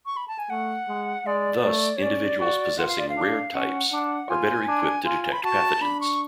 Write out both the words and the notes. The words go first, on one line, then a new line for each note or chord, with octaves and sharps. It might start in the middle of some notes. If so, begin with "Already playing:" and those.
Thus, individuals possessing rare types are better equipped to detect pathogens.
C#6
B5
A5
G#5
A3 F#5
G#3
G#3 D5
A3
C#5
C#4 D5
F#4
F4 F#5
F5
D5
F5
D4
C#4 F#5
D4
F4 G#5
D4
F4
B5
F#4 A5
D4 B5
C#6